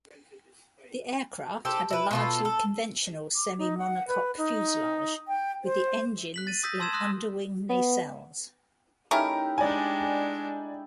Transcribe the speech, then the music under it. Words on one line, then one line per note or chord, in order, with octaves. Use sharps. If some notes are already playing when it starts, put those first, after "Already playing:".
The aircraft had a largely conventional semi-monocoque fuselage, with the engines in underwing nacelles.
G4 A4 C5
E4 B4
B2 F4 A4
A4
D6
D#4
F#5
B4
D#4
G5
C5
F#6 B6 F#7
A6 D#7
D#6 E6 G6 A#6 B6
A5 C6 E6 G#6 E7
C6 D#6 E6 F#6 A#6
B3
A3 C#4 D#4 E4 G4 A#4
G#3 D4 D5 G#5